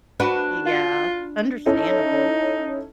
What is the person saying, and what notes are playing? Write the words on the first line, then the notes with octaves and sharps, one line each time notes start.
Yeah, understandable.
D4 F#4 B4
F4
C#4 D#4 E4 A4